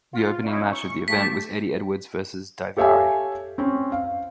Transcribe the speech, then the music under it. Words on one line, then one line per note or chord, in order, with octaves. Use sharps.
The opening match of the event was Eddie Edwards versus Daivari.
F4
C#4 D#4 E4
C#6
A3 G4 A5 B6
G4 A4 C#5 E5 F5 G#5
C4 C#4
F5